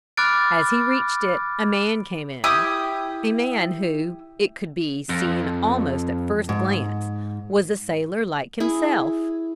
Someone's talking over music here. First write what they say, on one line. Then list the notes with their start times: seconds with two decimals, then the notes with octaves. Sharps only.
As he reached it a man came in; a man who, it could be seen almost at first glance, was a sailor like himself.
0.17 B5 D6 F6 F#6 A6 D7
2.44 E4 G4 D#6
5.09 F2
6.49 G#2
8.60 E4 G#4